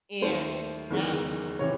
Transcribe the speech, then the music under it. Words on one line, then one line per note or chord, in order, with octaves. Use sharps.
and now,
D#2 D#3 A3 C5
F#1 E2 D#3 G#3
C3 E3 C#5